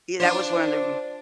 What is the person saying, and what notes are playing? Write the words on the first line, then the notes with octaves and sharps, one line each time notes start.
yeah, that was one of the r
D4 F4 C5